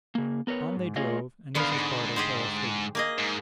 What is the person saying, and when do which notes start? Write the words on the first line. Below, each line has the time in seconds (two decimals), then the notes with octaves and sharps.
On they drove, and Mrs. Bardell fell asleep.
0.15 C#3 A#3
0.47 B3 A#4 B4 C#5
0.76 G#2
0.96 A3 F4 G#4 C#5 D#5 F5
1.55 D3 D#3 B3 F5
1.72 G#2
2.16 G4 G#4 C5
2.95 A#3 G#4 D#5
3.19 G#2